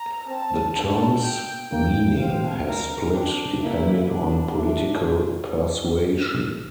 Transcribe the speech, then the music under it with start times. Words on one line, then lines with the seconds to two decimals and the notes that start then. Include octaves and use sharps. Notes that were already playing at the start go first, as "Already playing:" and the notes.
The term's meaning has split depending on political persuasion.
Already playing: A#5
0.29 C4 A5
0.76 D4 A5
1.24 G5
1.71 A#3 G5
2.20 C4 F5
2.67 A#4
3.14 C4 D4
3.62 A#3 E4
4.09 D4
4.57 A3 D4